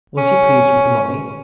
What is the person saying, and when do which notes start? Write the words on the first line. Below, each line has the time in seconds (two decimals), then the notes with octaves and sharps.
"Was he pleased with the mummy?"
0.17 C#4